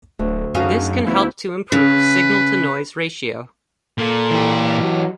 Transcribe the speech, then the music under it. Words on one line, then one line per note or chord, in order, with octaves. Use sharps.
This can help to improve signal-to-noise ratio.
D1 D2
F#2 C#4 D#4 F#4 G#4 A4 F5
D2 B3 E4 G6
C#3 B4
A#2 A4
E3 G4
F#3